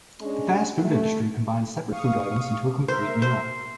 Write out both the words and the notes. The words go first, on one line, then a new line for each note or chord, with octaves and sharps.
The fast food industry combines separate food items into a complete meal.
G#3 C#4 D4
A3
F5 C#6 D#6
A#4 C5 E5
C5